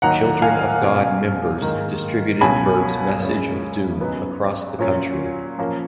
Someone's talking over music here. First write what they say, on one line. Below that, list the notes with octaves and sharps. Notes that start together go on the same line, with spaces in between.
Children of God members distributed Berg's message of doom across the country.
D#2 D#3 F#3 A#3 D#4 F#5 A#5
F5 G#5
B2 F#3 C#4
G#2 D#3 A#3 D#4
C#2 B2 F#3 C#4 G#5 B5
F#2 C#3 G#3 C#4
C#3 F#3 B3 D#4
A#2 F#3 C#4
A#2 F3 A#3 C#4